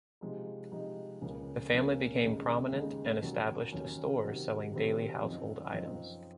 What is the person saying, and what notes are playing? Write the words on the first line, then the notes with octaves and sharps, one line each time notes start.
The family became prominent and established a store selling daily household items.
C3 F3 G#3 D#4
C3 F3 G#3 D#4
C#2 C#3 F3 A#3 C#4
C#2 C#3 F3 A#3 C#4
D#2 C#3 G#3 D#4
D#2 C#3 G#3 D#4
D#2 D#3 F#3 C#4
D#2 D#3 F#3 C#4
C3 D#3 F#3 C4
C3 D#3 F#3 C4
F#2 F3 C4 D#4
F#2 F3 C4 D#4